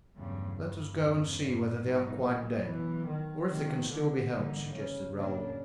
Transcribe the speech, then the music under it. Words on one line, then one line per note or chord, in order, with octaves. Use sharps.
"Let us go and see whether they are quite dead, or if they can still be helped," suggested Raoul.
E2 G2 C#3 F#3 A3
G2
E2 C#3 E3 A3
G2
G#2 B2 F#3 B3 D#4
A#2
B2 E3 F#3 B3
D#3
C3 D#3 F3 G#3 B3
D3
G#2 D3 E3 G3 A#3 D#4
C#3
A2 C#3 F#3 A#3 D4